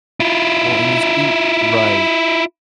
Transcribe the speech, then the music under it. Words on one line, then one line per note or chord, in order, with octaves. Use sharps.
Well, and you see right.
E4 F4